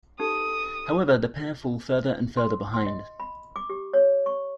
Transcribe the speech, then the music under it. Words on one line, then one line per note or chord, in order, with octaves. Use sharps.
However, the pair fall further and further behind.
D#4 G4 A4 D#6
C6
C6
D#5
B5
D6
G4
C#5
C#6